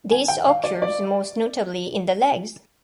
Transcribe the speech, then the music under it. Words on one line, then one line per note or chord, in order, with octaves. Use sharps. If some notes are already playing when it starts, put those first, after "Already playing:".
This occurs most notably in the legs.
G#5
G5
F5
D5
D5